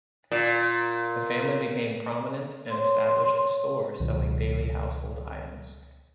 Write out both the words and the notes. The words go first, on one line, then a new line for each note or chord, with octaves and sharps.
The family became prominent and established a store selling daily household items.
A#2
C5 C#5 C6
C#2 B2 D#3 F#3